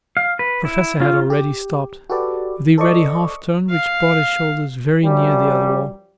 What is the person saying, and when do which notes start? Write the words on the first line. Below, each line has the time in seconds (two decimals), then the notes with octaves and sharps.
The Professor had already stopped, with a ready half turn which brought his shoulders very near the other wall.
0.17 F5
0.39 B4
0.65 E4
1.00 C#4 F4
1.30 G4
2.10 F#4 G4 A4 B4 D5
2.78 A4 C5 D5 D#5 C#6
3.70 F5
5.02 F#2 F3 G3